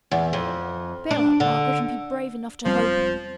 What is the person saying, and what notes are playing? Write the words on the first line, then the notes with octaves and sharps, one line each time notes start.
Bear up, Margaret, and be brave enough to hope!'
E2
F2
D4
D3
E1 F3 G3 C4